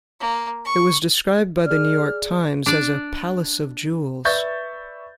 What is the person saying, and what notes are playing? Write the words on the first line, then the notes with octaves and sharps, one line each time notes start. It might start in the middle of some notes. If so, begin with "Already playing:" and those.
It was described by "The New York Times" as a "palace of jewels".
A#3
C#6
G#4 D5 F6
D4 D5
B4 D5 E5 C#6 G6 A6